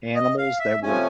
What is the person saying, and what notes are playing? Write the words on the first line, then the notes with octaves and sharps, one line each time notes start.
animals that were
D#5
F5
E5
C3 F3 A3 C#4 G#5